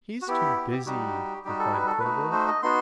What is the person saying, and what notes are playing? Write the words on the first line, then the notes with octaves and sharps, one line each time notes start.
"He's too busy," replied Clover.
F#4
B3 E4 G4
G4
G4
G3 D#4 F#4 G4
G3 D#4 F#4 G4
A4
B4
A4
A3 D#4 F#4 B4
C5
D#5
B3 D#4 F#4 C6